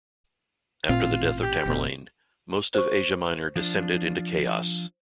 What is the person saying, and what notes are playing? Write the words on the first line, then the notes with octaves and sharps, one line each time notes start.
After the death of Tamerlane, most of Asia Minor descended into chaos.
A1 A#2 C4 F4
G4
F1 B2
C5 C#6
F3 D4 F4